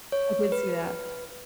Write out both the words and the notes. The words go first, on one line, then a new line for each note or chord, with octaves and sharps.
I did see that.
C#5
B4